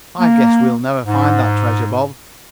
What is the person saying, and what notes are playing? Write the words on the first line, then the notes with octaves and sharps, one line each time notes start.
I guess we'll never find that treasure, Bob.
A#3
G#2